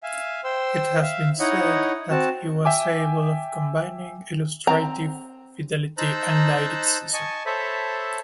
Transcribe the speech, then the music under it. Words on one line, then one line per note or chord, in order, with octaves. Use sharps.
It has been said that he was able of "combining illustrative fidelity and lyricism".
E5 F5 G#5
C5 G5 C6 E6
E5 F5
D#4 E4 C#5 D#5 F#5
C4 F#4 A5
E5 G5 G#5 D6
C4 A#5
D#4 C5 A5 A#5 E6 F#6
D#5 G#5 A5 C#6
A4 C5 C#5 E5 A5 B5